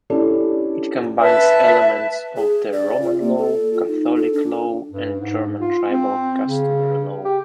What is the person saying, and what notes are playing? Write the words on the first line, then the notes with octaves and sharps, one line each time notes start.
It combines elements of the Roman law, Catholic law and Germanic tribal customary law.
C#4 D4 E4 G4 A4 D5
B4 E5 A5
G#4
D5
F4
A#3
A4
F4
D#4
A4
D4
G2
G#2
F4
C4
C#3
G4